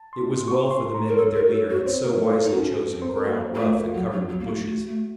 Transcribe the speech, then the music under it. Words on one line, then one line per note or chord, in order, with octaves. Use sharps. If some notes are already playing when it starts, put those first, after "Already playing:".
It was well for the men that their leader had so wisely chosen ground rough and covered with bushes.
Already playing: A5
C6
C#6
C6
A#5
A#4
A4 C#5
A#4
F#4
A4
F#4
C#5
C4 C5
A#3 A#4
F#3
A3 A4
A4
D#4
C#4 F#4
A4
C4
C5
A#4
A4
A#3 F#4
A#3
A3 F4
F4
F#3 F#4
F#3
F#3
A#3
A3
A3
A3